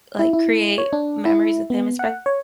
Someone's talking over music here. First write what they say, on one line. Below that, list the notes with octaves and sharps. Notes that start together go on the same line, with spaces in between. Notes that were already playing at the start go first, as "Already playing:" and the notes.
like create memories with him, espe
E4
E4
C#5
D4
E4
B3
F#5
C#5